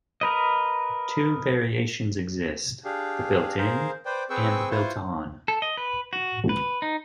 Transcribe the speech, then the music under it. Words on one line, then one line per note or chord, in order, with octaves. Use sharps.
Two variations exist, the built-in and the built-on.
A#4 B4 D#5
D4 G4 G#4 F5
G#4 A#4 C5 F5
B4 C5 D5 G5
C4 G#4 B4 G5 C#6 E6
E4 F4 B4 C5 C6 C#6
A4
D#5
B4
F#4
B4
D#4